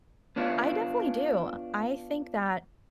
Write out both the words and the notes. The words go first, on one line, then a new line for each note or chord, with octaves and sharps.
I definitely do. I think that,
B3 D4 F4 C#5